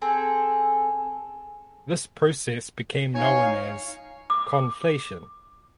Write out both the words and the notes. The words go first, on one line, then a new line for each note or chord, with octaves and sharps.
This process became known as "conflation".
C4 G#4 A4
D#4 C#5 F5 G#5 C#6
D6